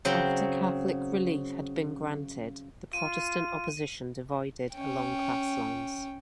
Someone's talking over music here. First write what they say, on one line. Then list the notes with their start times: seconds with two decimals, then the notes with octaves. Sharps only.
After Catholic relief had been granted, the Protestant opposition divided along class lines.
0.05 C#3 F#3 C4
2.93 F4 D#7
4.73 C#4 G5